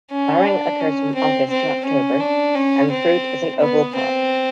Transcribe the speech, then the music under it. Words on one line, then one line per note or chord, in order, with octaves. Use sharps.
Flowering occurs from August to October and the fruit is an oval pod.
C#4
D4
C#4
C4
C4
C#4
D4
C#4
C4
B3
C4